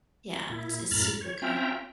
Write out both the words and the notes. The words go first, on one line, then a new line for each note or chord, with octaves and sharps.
Yeah, it's it's super good.
A#2 E4
F#2 A2 A#5 B5 F6 A6
C#5
C4 C#4 F4 E5 G5 A#5